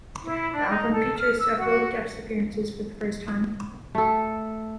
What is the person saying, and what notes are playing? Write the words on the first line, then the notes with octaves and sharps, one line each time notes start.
The album features several guest appearances for the first time.
E4
D4
D#4
A4
F6
E6
F#4
A3 A4